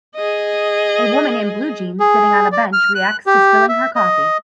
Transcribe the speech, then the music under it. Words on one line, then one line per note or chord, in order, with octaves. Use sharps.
A woman in blue jeans sitting on a bench reacts to spilling her coffee.
G#4 D#5
G#4
D5
F6
F#6
G4
E5
D#5